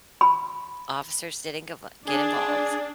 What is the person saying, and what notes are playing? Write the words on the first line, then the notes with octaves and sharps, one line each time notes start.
officers didn't get vo get involved,
B5
D4 G#4